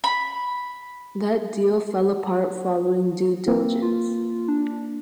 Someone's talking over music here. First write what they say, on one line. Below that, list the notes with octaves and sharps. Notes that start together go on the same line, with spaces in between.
That deal fell apart following due diligence.
B5
A#3 C4
F4
D4